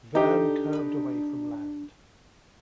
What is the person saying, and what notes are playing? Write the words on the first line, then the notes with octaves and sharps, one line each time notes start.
Verne curved away from land.
D3 D4 D#4 G4
B4 B5